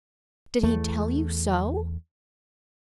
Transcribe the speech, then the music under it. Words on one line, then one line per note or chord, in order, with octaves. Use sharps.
"Did he tell you so?"
E2 A3